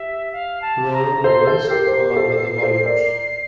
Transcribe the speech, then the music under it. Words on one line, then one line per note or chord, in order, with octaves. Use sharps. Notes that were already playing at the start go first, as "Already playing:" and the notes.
Roe novels among other volumes.
Already playing: G4 E5
F5
A5
A#5
A4 C5 C6
A4 G6
G4 A#4 C7
C5
G4 A#4 C7
A4 C5
A4 C5
A#4 D5